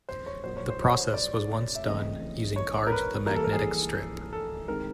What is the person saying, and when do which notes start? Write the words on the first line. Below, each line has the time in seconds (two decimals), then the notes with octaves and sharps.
The process was once done using cards with a magnetic strip.
0.09 C5
0.26 C#5
0.44 A#2 F#3 A#3 C5
0.57 C#5
0.70 C5
0.83 C#5
0.95 C5
1.14 D5
1.75 E5
1.85 C#3 E3 A3 C4 D#5
2.56 C#5
2.87 A#4
2.92 B4
3.27 E3 G3 A#3 A#4
3.36 A4
3.44 A#4
3.53 G#4
4.33 A4
4.68 D#3 G#3 C4 A#4